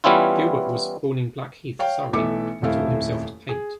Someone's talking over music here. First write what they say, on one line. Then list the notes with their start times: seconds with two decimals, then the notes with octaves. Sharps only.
Gilbert was born in Blackheath, Surrey, and taught himself to paint.
0.04 E3 G3 B3 C#4 E4 F4
1.79 C#5 F5 G5
2.13 B1 E3 A3 E5 D6 C#7
2.62 D#1 F2 A3 E4 F5
3.49 G#4